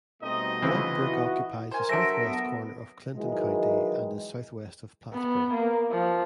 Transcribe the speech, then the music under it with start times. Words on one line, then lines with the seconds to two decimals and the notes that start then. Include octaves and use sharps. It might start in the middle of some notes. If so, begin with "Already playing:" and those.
Black Brook occupies the southwest corner of Clinton County and is southwest of Plattsburgh.
0.23 B2 G3 A3 C4 D#4 D#5
0.62 B1 C#3 E3 C4 F4 B4
1.01 E4 F#4
1.71 A#4 C5 G#5
1.89 F#3 D4 A4 C5 E5 A#6 D7
2.24 B3
3.16 D#3 E3 F#3 G#3
5.13 B3
5.54 A#3
5.92 F3